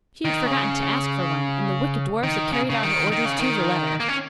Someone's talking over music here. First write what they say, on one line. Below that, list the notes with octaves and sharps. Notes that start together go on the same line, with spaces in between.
She had forgotten to ask for one, and the wicked dwarfs had carried out her orders to the letter!
D#3
C#3
D#3
C#3
C#3
D#3
D#3
C#3
D#3
A#3
C#4